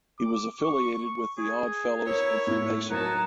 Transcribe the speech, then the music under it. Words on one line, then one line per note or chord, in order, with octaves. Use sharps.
He was affiliated with the Odd Fellows and Freemasonry.
D6
C#6
G#4
E4 A#4 C#5
A2
F#3 D#4 A#4 F#5 A5 G#6